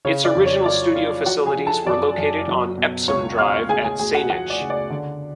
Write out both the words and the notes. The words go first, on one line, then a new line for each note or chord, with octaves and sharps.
Its original studio facilities were located on Epsom Drive in Saanich.
C#3 C#5
D5
F2
C#5
F#3 D5
F#3 F4 F5
F3 F#4 F#5
G#4 G#5
F3
A4 A5
F#2 D5 D6
F#2
F#3
B2
C#2 C#5 C#6
B2 F5 F6
D2 G#4 G#5
G#4 G#5
D2 G#4 G#5
F#4 F#5
F3 F#4 F#5
D5
C#3
D5
D3